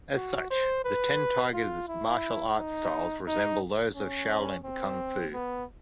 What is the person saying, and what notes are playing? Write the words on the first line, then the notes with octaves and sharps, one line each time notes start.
As such, the Ten Tigers' martial arts styles resemble those of Shaolin Kung Fu.
F#4
C5
B4
F4
E4
D#4
D#4
C#4
C4
B3